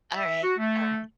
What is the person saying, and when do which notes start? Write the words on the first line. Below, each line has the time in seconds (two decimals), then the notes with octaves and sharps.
Alright. Alright.
0.14 E5
0.43 F#4
0.58 A3